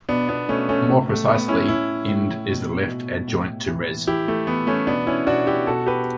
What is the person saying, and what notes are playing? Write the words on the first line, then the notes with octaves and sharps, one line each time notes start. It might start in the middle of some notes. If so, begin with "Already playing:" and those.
More precisely, Ind is the left adjoint to Res.
B2 B3 D4
B3 D4
B2 A3 C#4
A3 C#4
A2
A3
A2 B3
C#4 E4
A2 C#4 E4
A2
B2
B2
A2
E3
E3 E4 G4
A3
E3 B3
A3 C#4
B2 B3 D4
C#4 E4
B2 D4 F#4
E4 G4
B2 F#4 A4
G4 B4